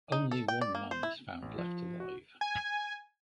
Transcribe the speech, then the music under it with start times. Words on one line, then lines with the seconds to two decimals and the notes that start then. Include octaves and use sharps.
Only one man is found left alive.
0.12 D#4
0.31 A4
0.48 G5
0.61 D5
0.75 A#3
0.91 C5
1.03 E4
1.42 A1
1.58 F3
2.00 F#4
2.41 G#5